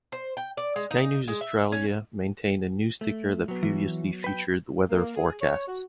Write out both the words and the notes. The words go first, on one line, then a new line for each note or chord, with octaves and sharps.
Sky News Australia maintained a news ticker that previously featured weather forecasts.
C5
G5
D5
G#3
D#4
G#3
E5
C#4
A3
F#3 B3
E3
B4 G5
A#3
G#4
C#5
F#4